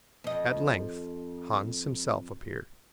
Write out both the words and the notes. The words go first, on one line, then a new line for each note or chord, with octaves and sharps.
At length Hans himself appeared.
F2 D#5